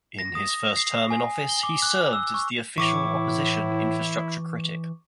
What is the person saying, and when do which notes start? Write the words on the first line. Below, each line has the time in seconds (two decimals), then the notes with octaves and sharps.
In his first term in office he served as the official opposition Infrastructure critic.
0.19 A#6
0.35 D#6
0.76 C7
1.11 G#5
1.49 G7
1.63 D6
1.82 F#6
2.13 E6
2.34 C#6
2.78 A2 E3 E4 C#6 D6